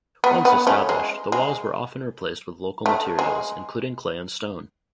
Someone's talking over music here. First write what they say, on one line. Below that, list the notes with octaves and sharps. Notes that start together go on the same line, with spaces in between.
Once established, the walls were often replaced with local materials, including clay and stone.
B3
B3
A3 C#4
G#3
G#3
A3
G#3